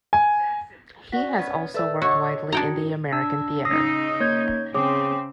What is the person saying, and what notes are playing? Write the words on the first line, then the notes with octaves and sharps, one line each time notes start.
He has also worked widely in the American theatre.
G#5
F#4 D5 F#5 B6
B3 C#4
A3 B4 D5 E6
D3 F#4 C#5 D#5 E6
D4 D#4 F#4 G5 A#5 G#6 C#7
A#4
D4 E6
C#3 D#4 D#6 E6 A#6 C7
A#3 C#5 G6 G#6
C#3 C4 G#4 C#5 D6